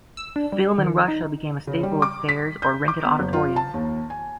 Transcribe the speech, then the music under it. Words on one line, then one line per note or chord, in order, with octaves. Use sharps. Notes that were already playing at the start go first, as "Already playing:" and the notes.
Film in Russia became a staple of fairs or rented auditoriums.
E6
D4
G3
D#3
D#4
C#3
G3
D6
B6
G6
D6
B3
F#1
F4
A5
D#2
G#5